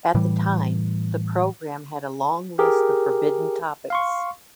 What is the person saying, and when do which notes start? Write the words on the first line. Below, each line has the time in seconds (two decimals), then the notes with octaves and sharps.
At the time, the programme had a long list of forbidden topics.
0.15 A2 E3 G3
2.59 G4 G#4 A#4
3.90 F5 C6 C#6